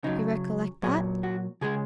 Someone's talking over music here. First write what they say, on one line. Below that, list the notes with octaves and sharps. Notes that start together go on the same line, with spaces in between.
You recollect that?
C#3 F#3 D#4
A#2 F#3 G#4
F#4
C#3 G#3 G#4